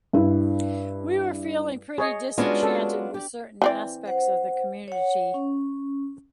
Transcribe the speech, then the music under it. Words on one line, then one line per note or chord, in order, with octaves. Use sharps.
We were feeling pretty disenchanted with certain aspects of the community.
G2 E4
G#4 C#5 D#5
G#3 B3 C#4 D4 F4 F#4
A4
G4
E3 C4 D5
C5 F#5
C#5 F#5
C#4